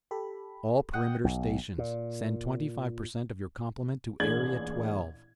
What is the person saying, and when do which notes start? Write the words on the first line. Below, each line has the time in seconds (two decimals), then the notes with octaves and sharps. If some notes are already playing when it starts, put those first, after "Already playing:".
"All perimeter stations send twenty-five per cent of your complement to Area Twelve."
0.11 G4 A4 B5
0.93 D#5 F#5 G5
1.24 B1
1.78 A#2
4.20 A1 A#2 D4 G#4 G#6 F#7